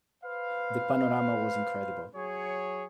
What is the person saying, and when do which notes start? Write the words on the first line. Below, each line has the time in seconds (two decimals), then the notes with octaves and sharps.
The panorama was incredible.
0.24 B4 C5 F5
2.15 F#3 G#4 C#5